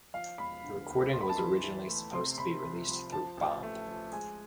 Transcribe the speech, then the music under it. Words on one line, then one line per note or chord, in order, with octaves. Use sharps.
The recording was originally supposed to be released through Bomp!
F3 F5
E1 B5
D3
D2
A3 C6
B5
A5
E3 B5
E3
A3
C3 C6
C3 B5
C2
F3
F3 A5
A1
A3
F3
G#3 G#5